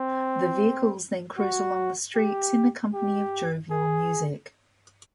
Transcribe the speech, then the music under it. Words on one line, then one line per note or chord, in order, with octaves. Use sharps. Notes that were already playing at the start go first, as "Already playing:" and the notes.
The vehicles then cruise along the streets in the company of jovial music.
Already playing: C4
F#4
G4
G4
G#4